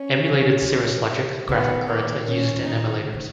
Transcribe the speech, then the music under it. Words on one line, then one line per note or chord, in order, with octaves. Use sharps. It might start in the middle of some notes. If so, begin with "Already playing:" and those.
Emulated Cirrus Logic graphic cards are used in emulators.
Already playing: C#4
D#3
E3
D#3
D#3 B3
A#3
C#4
D#4
C#3
D#3